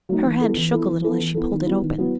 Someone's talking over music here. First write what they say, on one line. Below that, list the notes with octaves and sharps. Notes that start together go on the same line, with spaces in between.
Her hand shook a little as she pulled it open.
F#3 A3 D#4
E3
B3 E4 A4
E3
B3 E4 A4
E3
B3 E4 A4
E3
B3 E4 A4
D#3
F#3 B3 E4
D#3
F#3 B3 E4